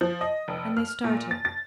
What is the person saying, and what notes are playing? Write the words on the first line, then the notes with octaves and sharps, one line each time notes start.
And they started.
F3
D#5
F1
F6
A#2
A6
A6